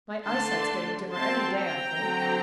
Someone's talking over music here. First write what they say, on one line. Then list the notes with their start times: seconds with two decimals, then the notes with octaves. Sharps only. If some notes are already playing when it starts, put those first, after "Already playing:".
My eyesight's getting dimmer every day, I think.
0.25 D3 A3 D4 A5 C6
1.12 F#3 C4 A5 C6
1.56 G5 A#5
2.00 D3 F#3 C4